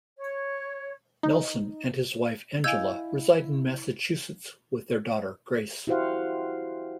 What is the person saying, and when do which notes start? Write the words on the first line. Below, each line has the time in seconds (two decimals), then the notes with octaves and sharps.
Nelson and his wife Angela reside in Massachusetts with their daughter, Grace.
0.18 C#5
1.23 D#4
2.64 E4 D#5 F5 G#5 E6 G6 G#6
5.87 E4 F#4 G4 C5 F5 F#5